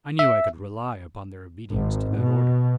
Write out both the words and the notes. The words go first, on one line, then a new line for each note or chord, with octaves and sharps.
I knew I could rely upon their obedience to that order.
E5
G#1
B2